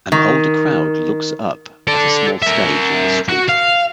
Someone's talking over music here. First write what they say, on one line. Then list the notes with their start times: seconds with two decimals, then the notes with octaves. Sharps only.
An older crowd looks up at a small stage in the street.
0.12 D#3
1.88 A4 D5
2.43 A#4 E5
3.29 F#4
3.49 F5